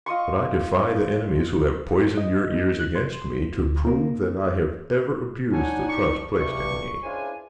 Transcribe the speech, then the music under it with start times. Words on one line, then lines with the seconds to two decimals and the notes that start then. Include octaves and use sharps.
But I defy the enemies who have poisoned your ears against me, to prove that I have ever abused the trust placed in me.
0.06 F4 D#5 C6 C#6
2.17 D#5
2.79 F#6
2.95 C6
3.58 D2
3.87 A#3
5.52 D4 D#4 C#5 F#5 G#5
5.89 G4 C#6
6.33 G2 C3 C#6
7.03 C#2 D4 E4 F4 C5 G#5